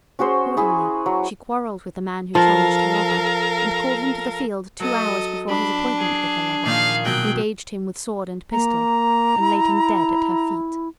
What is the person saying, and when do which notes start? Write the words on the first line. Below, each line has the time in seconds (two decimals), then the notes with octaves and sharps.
Accordingly she quarrelled with the man who challenged her lover, and called him to the field two hours before his appointment with her lover, engaged him with sword and pistol, and laid him dead at her feet.
0.19 C#4 F#4 G#4 C5
0.57 E4 G#4 G#5
1.06 F#3
2.35 F3 A4 A#4 F5
4.80 F#3 A4 D#5
5.48 D4 B5
5.99 G#4
6.66 A#2 D#3 F3 F5
7.05 B2 F#3 G5 F#6
8.52 A#3 A#5
9.39 E4